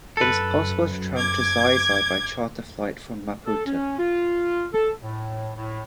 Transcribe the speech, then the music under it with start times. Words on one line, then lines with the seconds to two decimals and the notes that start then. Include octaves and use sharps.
It is possible to travel to Xai-Xai by charter flight from Maputo.
0.17 F#2 A4 B4
1.18 D6 G#6
3.46 A4
3.66 C#4
3.98 F4
4.74 A4
5.02 A2
5.57 A2